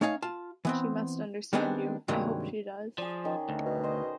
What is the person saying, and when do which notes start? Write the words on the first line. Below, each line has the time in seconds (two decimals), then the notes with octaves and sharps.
She must understand you. I hope she does.
0.01 A3 C#4 D#4 C#5 F5
0.22 F4 A5
0.65 E3 B3 C4
1.53 D#3 G3 G#3 B3 C4 D4
2.08 G2 C3 D#3 F#3 G#3 A#3
2.98 F3 G#4 D5
3.24 D#3 C#4
3.49 D2
3.65 B2
3.83 C5 D#5